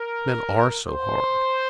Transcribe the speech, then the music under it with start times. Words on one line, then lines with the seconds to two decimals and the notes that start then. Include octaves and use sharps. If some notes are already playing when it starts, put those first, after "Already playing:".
Men are so hard!
Already playing: A#4
0.88 C5